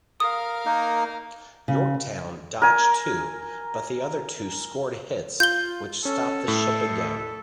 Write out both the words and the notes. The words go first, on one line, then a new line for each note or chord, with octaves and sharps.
"Yorktown" dodged two, but the other two scored hits which stopped the ship again.
A#4 F5 D#6
A#3 D#4
C#3
A#4 G#5
F4 G6 G7
C#4 A4
A2